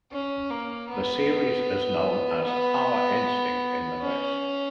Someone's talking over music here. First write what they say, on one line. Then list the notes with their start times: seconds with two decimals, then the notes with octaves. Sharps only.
The series is known as "Power Instinct" in the West.
0.12 C#4
0.51 A#3
0.90 B3
2.45 B3
4.01 C#4